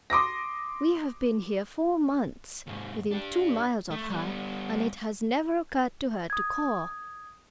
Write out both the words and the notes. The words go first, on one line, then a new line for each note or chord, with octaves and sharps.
We have been here four months, within two miles of her, and it has never occurred to her to call.
C6 D6 D#6 A#6
D#2 G#2
D4 G4
A3
G3 B3
D#6 G#6